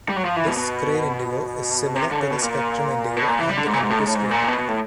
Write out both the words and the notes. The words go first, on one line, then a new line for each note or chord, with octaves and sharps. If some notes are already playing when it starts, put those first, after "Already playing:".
This screen indigo is similar to the spectrum indigo on the computer screen.
G3
F#3
F3
E3
B2
B2
C3
D3
C#3
B2
A#2
B2
A#2
E3
G3
D3
G#2
A#2
G#2
A2
G#2
A2
G#2
A#2
B2
B2
A2